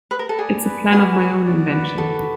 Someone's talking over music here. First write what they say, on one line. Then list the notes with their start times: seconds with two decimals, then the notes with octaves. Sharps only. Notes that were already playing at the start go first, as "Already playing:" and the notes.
It’s a plan of my own invention.
0.11 B4
0.19 A#4
0.29 A4
0.39 G#4 D5
0.65 B4
0.92 F#4 G#4
1.19 F#5
1.45 D5
1.71 B4
1.97 F#4 A4